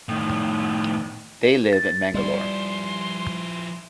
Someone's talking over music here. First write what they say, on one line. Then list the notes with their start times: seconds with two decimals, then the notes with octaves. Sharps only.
They live in Mangalore.
0.09 A2 D#3
1.73 A6
2.14 F3 G3 E4 C6